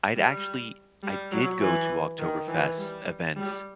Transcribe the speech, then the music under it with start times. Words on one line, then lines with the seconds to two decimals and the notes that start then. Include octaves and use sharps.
I'd actually I did go to Oktoberfest events,
0.16 G3
1.03 G3
1.32 F#3
1.61 E3
2.19 D#3
2.48 E3
2.78 G3
3.36 G3